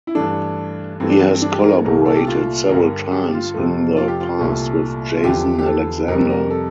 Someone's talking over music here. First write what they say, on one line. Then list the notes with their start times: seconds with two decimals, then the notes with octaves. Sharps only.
He has collaborated several times in the past with Jason Alexander.
0.07 E4
0.15 G2 E3 A3 D4
1.00 G2 E3 A3 C4
1.10 D4
1.19 C4
1.42 D4
1.53 G4
1.63 A#4
1.85 C2 A#2 A3 A#4
2.06 A4
2.16 G4
2.27 F4
2.69 G2 D3 G3 A#4
3.12 G4
3.32 F4
3.54 F2 C3 F3 A3
3.97 F4
4.08 G4
4.20 F4
4.39 C2 A#2 A3
5.16 F4
5.23 E2 D3 F3 G4
5.59 G4
5.66 A4
6.08 F2 C3 G3 A#4
6.30 A#4
6.50 A4